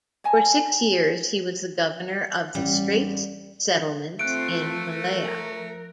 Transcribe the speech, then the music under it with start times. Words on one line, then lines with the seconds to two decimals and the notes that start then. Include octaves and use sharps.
For six years, he was the governor of the Straits Settlements in Malaya.
0.24 C#5 D#5 G#5 A5
2.55 A1 G3
4.19 A3 C4 F4 F#6 D7
4.83 F3 A#4